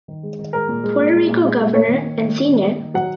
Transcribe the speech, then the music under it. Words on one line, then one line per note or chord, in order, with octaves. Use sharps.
Puerto Rico Governor and Sr.
D#3
G#3
D#3
G#3 A#4
A#2
G#3
A#2
G#3
A#2
G#3
A#2
A#3 C#5
D#3
A#3
D#3
A#3
D#3
A#3
D#3
F#3 F#5